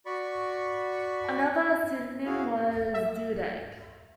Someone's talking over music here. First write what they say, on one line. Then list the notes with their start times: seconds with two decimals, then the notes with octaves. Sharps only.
Another pseudonym was Dodek.
0.06 F#4 D5 B5 C#6
2.26 E4 F#4 G#4 F5
2.94 E5